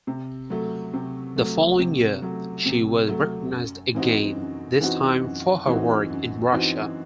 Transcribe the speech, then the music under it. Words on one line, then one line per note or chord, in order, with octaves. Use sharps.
The following year, she was recognized again, this time for her work in Russia.
C3
F#3 A3
C3
F#3 A3
C3
F#3 A3
C3
F#3 A3
F#2
E3 C4 D#4 F#4
F#2
E3 C4 D#4 F#4
F#2
E3 C4 D#4 F#4
F#2
E3 C4 D#4 F#4